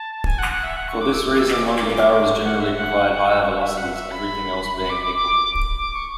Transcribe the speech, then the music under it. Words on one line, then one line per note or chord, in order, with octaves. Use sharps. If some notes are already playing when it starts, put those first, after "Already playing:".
For this reason longer barrels generally provide higher velocities, everything else being equal.
Already playing: A5
G#5
F#5
F#5
E5
F#5
C#6
D6
E6
D6
E6
D6
C#6
D6
F#5
E5
F#5
E6
C#6
E5
F#5
E5
B5
B5
D6
D6
D6
D6
C#6